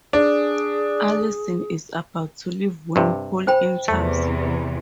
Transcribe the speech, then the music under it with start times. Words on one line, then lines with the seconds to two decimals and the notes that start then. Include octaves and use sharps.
Allyson is about to leave when Paul enters.
0.13 D4 G#4
2.96 G2 C3
3.47 C5 G5 B5
3.88 E2 C3 E3 A3